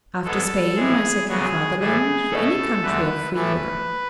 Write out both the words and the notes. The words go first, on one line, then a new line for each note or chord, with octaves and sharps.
"After Spain, my second fatherland, any country of free Europe."
G#2 G#3 B3 A4
A2 E3 G#3 G#4
D2 C#3 F#3 B3 G#4
A2 E3 A3 G#4
B2 A3 A4
E2 D3 A3 B4
A2 E3 A3 B4